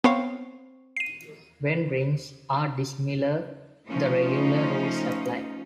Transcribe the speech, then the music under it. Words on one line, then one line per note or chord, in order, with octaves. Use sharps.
When rings are dissimilar the regular rules apply.
B3 C4 C#5 F5 C7
C7 D#7
F3 A3 C#4 D#4 F4